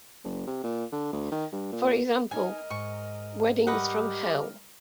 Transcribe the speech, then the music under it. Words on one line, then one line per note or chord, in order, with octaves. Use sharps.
For example, "Weddings from Hell".
F#1
C3
A#2
D3
D2
D#3
G2
A#2
B3 D#4 A#4 D#5 G#5
G#2 C#6
G3 G4 A#4 B4 D#5 F#5